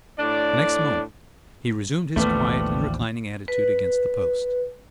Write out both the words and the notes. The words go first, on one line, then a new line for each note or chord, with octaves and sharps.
At the next moment he resumed his quiet and reclining attitude against the post.
A2 D4 D5
A1 D#2 D3 F3 G3 A3 B3
B4